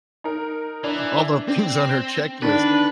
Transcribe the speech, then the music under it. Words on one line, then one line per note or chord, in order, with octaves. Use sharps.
all the things on her checklist,
D#4 A#4
E3 D4
C4
D3 D#3 D4 B4